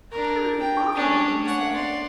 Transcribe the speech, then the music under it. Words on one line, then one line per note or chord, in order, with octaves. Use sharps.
"How perfectly awful," Wendy said.
D4 A#4
G5
C#4 D4
C#5 F#5
D5 C6